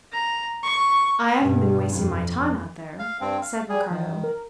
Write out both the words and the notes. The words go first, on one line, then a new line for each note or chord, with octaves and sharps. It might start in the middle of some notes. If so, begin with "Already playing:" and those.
"I haven't been wasting my time out there," said Ricardo.
A#5
C#6
G2 B2
F2
F5
G2 C4
F5
G3 G#4
D#3 E3
A#4